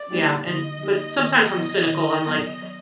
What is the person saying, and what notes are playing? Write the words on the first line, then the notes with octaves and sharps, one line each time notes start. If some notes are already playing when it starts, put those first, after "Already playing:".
Yeah, and but sometimes I'm cynical. I'm like,
Already playing: D5
G3 A#3 D#4 G4
D3 D#5
G3 A#3 D#4 G4
D#3
F#3 B3
D#3
F#3 B3
F#3